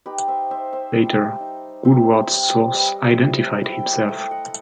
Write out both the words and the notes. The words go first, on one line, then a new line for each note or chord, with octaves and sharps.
Later, Woodward's source identified himself.
D#4 G4 B4
C5 E5
D#4 C5 E5
C5 E5
G3
D#4
C4 C5 E5
G3
G3 B4 D#5
C5 E5
G3
E4 E5 G5
D#5 F#5
A3 E5 G5
D#5 F#5